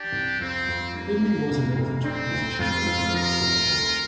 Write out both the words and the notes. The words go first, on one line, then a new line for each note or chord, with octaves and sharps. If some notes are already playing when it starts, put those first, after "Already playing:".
Henry was elected to the position later in the year.
Already playing: D4 G4
C2
F2 C4
F2
G2 A#3
G2
F1
F1
C4 D4
D2
F2 F4
F2
F3 F4 A#4
F1
D2